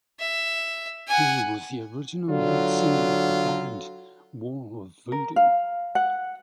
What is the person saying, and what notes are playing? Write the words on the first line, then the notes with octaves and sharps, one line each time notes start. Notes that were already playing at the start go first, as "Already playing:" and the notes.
He was the original lead singer of the band Wall of Voodoo.
E5
F#5 G#5
D3 F#3 F4
A#4
F5
F#5